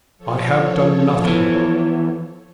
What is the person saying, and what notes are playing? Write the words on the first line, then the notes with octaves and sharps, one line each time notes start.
I have done nothing.
F3 A4 C#5
E2 E3